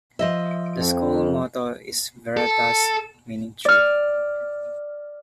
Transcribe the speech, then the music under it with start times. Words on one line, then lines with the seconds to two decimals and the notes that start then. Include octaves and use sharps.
The school motto is Veritas, meaning truth.
0.19 F3 D#5 E5
0.77 F2
2.37 A4
3.65 D5 F6